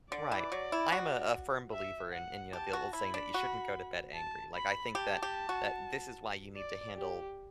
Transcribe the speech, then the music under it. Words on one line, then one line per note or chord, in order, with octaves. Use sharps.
Right. I am a a firm believer in in, you know, the old saying that you shouldn't go to bed angry. Like, I think that that this is why you need to handle
D3 D5
E3
F#3
E4
F#4
E5
F#5
G4 A5
F#4
E4 B5
D4
F#4
A5
B5
G4 A5
G4
F#4
D5
G4